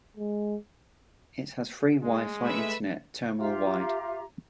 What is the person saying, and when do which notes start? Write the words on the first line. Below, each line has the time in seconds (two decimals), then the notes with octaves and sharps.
It has free wi-fi internet terminal-wide.
0.17 G#3
2.02 G#3
2.42 A3 B4 E5
3.38 F4 G4 E5 A#5